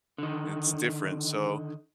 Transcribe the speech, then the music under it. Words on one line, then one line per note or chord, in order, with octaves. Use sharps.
It's different, so
D3 D#3